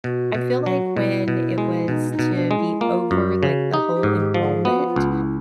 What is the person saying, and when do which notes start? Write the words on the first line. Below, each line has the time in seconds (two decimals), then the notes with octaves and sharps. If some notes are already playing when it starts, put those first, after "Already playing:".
I feel like when it was to be over, like, the whole enrollment,
0.04 B2 F#4
0.35 B2 F#4
0.66 F#3 F#4
0.97 B2 E4
1.28 B2
1.58 G#3
1.88 B2 D#4
2.12 D#4
2.19 B2
2.35 D4
2.51 G#3
2.58 E4
2.81 A#3 F4
3.11 F#2
3.27 F#4
3.43 C#3
3.73 D#4 G4
3.96 G4
4.03 G#2
4.19 G4
4.34 F3
4.41 G#4
4.65 B3 F#4
4.88 F4
4.96 C#2
5.11 E4